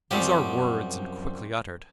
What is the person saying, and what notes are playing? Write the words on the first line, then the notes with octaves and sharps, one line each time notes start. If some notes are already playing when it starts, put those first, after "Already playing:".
These are words and quickly uttered.
C2 F#2 F3 G3 G4